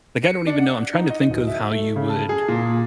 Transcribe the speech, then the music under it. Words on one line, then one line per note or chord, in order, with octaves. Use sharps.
Like, I don't even know. I'm trying to think of how you would
C#7
D4
F#5
D#4
D#5
D1
E5
A3
C#3
A5
G#4
A#2